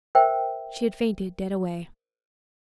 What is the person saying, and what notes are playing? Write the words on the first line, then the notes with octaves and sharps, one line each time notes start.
She had fainted dead away.
A#4 C5 E5 G5